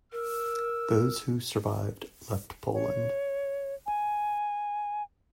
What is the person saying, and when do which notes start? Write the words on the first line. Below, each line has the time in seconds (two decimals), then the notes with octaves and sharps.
Those who survived left Poland.
0.12 A#4 E6
2.74 C#5
3.86 G#5